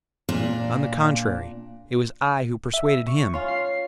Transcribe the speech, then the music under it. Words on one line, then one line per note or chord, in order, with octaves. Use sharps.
On the contrary, it was I who persuaded him!
A#2 D4
E5
C#6
C#4 F4 C6
C7